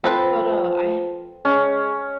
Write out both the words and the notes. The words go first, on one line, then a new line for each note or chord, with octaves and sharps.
but, uh, I
F3 C4 A4 B4
G#3 C#4